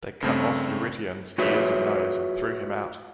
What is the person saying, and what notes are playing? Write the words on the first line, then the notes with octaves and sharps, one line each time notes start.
They cut off Eurytion's ears and nose and threw him out.
G2 C#3 A3 C4
F4 F#4 G#4 B4 C#5 E5